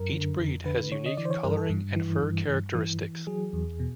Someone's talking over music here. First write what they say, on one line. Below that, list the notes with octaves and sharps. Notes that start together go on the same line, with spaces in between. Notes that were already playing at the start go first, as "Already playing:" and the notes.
Each breed has unique coloring and fur characteristics.
Already playing: F#2 A#4
D3
F2
D3 B4
D3 C#5
D#5
E3 D5
C5
C#5
G2 A#4
A4
G2
E3
G2
G2
E3
E3
F#3 G#4
E2
B2